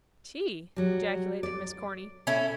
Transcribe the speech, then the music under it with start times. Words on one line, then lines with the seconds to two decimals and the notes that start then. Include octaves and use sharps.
"Tea!" ejaculated Miss Corny.
0.76 F#3 G3
1.43 D5
2.27 C#4 E4 A4